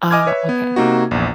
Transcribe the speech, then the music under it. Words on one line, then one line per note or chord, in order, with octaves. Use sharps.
Ah, okay.
D#5 G#5 D6 F6 G#6
B4 C#5 E5
B3
C3 A#3 D#4 F#4
A#1 E2